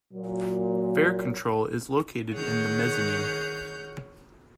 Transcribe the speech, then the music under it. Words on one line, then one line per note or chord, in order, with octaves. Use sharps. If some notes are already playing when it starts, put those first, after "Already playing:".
Fare control is located in the mezzanine.
A#2 F#3
D#3 G#4 C#5 F#5 F6 G6